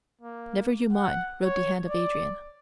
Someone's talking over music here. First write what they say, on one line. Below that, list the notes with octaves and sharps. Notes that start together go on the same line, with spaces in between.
"Never you mind," wrote the hand of Adrian.
A#3
F#5
C#5
D5